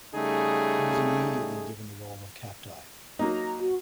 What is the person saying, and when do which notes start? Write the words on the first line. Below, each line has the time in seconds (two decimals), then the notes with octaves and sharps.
He was immediately given the role of captai.
0.15 C#3 G3 A3 D#4 G#4
3.19 F#3 A#3 D#4 A#5
3.60 F#4